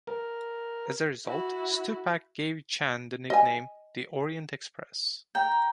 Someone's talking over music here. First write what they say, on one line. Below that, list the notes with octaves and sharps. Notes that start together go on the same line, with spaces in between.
As a result, Stupak gave Chan the nickname "The Orient Express".
A#4
E4 F#4
D#5 G#5
G5 A#5